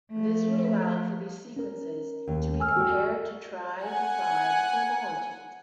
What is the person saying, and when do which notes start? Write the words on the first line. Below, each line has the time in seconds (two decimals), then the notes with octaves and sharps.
This would allow for these sequences to be compared to try to find homologies.
0.11 F3 A3
1.56 C#4 A#4
2.27 D#2
2.60 G#5 E6 F6
2.76 F#4 A#4 G5
3.84 F#5 G#5